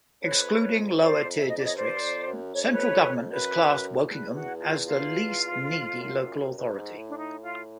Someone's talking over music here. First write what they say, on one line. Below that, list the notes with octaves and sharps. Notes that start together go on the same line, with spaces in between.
Excluding lower-tier districts, Central Government has classified Wokingham as the least needy Local Authority.
F2 B4 C#5
C5 D5
E5
D#5
D5
C#5 D#5
G2 C5 D5
F2
F#2
F2 C#5
D5
B4 C#5
F#2 B4
F#2
E2 B4
F#4
F4
F4
E2
F2
F#2
F#2
G2
G2
G#2
A2
D4
D#4
F4